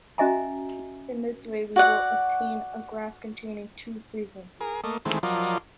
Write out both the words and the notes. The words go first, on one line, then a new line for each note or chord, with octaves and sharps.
In this way, we will obtain a graph containing two frequencies.
C#4 F#4 D#5 E5 G#5 A#5
F#4 D5 F#5
G#4 A#4
A3 A#3 D#5
D#3 E3 G#3 A3 C4
F3 F#3 F4 A#4 D5 D#5